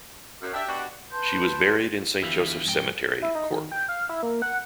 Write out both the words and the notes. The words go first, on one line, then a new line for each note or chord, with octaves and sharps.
She was buried in Saint Joseph's Cemetery, Cork.
F#2
D4 G4 E5 G5
B2 D4 F#4
B4 A5 C6 G6
E2 D3 E3 E4 G4 F5
F2 G#2 G4 G5
E4
D#4
D#3
G5
F5
E4
A#3
F#5